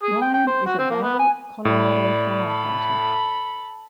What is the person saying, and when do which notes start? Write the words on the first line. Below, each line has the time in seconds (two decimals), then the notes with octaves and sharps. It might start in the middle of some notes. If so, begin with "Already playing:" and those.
Ryan is a Vail, Colorado firefighter.
0.03 G#4
0.21 G5
0.34 G5
0.47 C5
0.66 F#4
0.79 C4
0.90 A#3
1.02 B3
1.19 G#5
1.65 A2 D5 B5
2.47 A4 B5